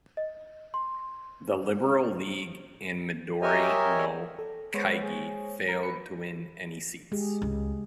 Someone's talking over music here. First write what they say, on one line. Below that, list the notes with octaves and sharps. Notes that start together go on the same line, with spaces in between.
The Liberal League and Midori no kaigi failed to win any seats.
D#5
C6
G4 A#4 C#5 D#5 E5 G#5
A4
G#3 B3 C5 C#5
G#4
A#4
B4 C#7
G#3 G4 G#4
C#2